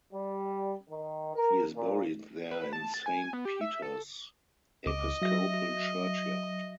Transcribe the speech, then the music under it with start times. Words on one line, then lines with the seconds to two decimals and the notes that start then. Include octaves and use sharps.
She is buried there in Saint Peter's Episcopal Church yard.
0.13 G3
0.89 D#3
1.35 A#4
1.75 A#2
2.51 B4
2.73 A5
2.94 A6
3.06 G#5
3.33 B3
3.45 G4
3.61 E5
3.82 A4
4.86 C#2 D#5 D6
5.22 F#3 E5 A#6